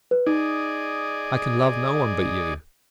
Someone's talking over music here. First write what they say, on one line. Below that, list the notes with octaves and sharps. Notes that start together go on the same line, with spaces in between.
I can love no one but you.
B4
D#4 G#4 D5 D#5